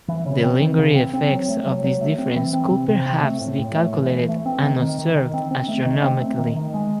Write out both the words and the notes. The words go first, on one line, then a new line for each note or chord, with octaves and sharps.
The lingering effects of this difference could perhaps be calculated and observed astronomically.
E3
C#3
C4
E3
C#3
C4
C4
F#3
A3
F#3
F#3
A3
C4
E3
C4
C3
C3
C4
A3
A2
A2
A3
E3
E3
A3
C4
D#3
D#3
D#3
D#3
C4
C4
A3
D#3
C4
A3
D#3
D#3
G#3